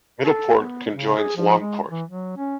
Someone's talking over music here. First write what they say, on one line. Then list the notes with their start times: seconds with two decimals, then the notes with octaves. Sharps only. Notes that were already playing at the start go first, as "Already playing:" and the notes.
Middleport conjoins Longport.
0.24 A4
0.57 B3
0.91 C#3
1.16 G#4
1.36 F3
1.60 G#3
1.90 E3
2.08 F#3
2.37 C#4